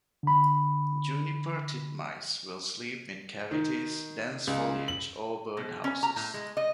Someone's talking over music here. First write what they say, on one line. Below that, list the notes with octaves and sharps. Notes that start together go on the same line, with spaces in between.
Juniper titmice will sleep in cavities, dense foliage, or birdhouses.
D3 B5
D#3
C#2
F#7
B2
C#4
A#5
A2
G#3
D#5